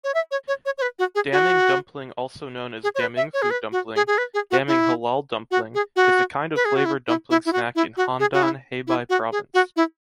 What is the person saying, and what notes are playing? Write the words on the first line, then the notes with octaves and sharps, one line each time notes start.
Daming dumpling also known as Damingfu dumpling, Daming Halal dumpling, is a kind of flavor dumpling snack in Handan, Hebei Province.
C#5
E5
C#5
C#5
C#5
C#5
B4
F#4
G#4
F#4
G#4
C#5
B4
E5
C#5
G#4
B4
F#4
G#4
G#4
B4
G#4
F#4
E4
F#4
G#4
F#4
B4
G#4
F#4
E4
E4
E4
E4
F#4
E4
F#4
G#4
F#4
E4
E4
F#4
G#4
F#4
E4